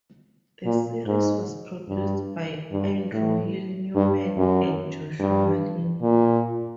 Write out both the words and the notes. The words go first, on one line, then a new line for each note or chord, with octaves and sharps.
The series was produced by Andrew Hill Newman and Joshua Malina.
A#2
G#2
G2
G2
A2
G2
F#2
G2
A#2